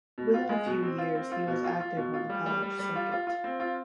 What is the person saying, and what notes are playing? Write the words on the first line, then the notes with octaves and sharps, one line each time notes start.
Within a few years, he was active on the college circuit.
B2
F4
G#3
B2
C4
F4
C4
F4
B2
F4
F4
B2
F4
G3
G3
G3
G3
F4
F4
F4
C4
F4